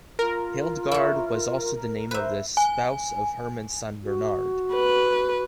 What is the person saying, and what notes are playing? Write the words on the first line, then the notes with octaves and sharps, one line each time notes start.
Hildegard was also the name of the spouse of Hermann's son Bernard.
F4 A#4
E4 C#5
B4 C5 E5
G#5
F#4
B4